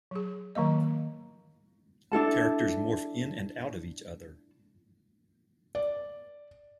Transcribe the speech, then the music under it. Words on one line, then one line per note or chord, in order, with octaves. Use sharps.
Characters morph in and out of each other.
F#3 G#4
D#3 F#3 A#3 D#5
D4 E4 A4 A5
D5